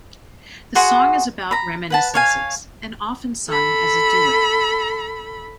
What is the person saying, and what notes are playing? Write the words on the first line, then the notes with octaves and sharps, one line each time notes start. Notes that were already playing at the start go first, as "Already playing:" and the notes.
The song is about reminiscences, and often sung as a duet.
F#4 G#4 F#5 C6
A#5 B5
B4 F#5 A5
C#5 F5 G#5
A4 B5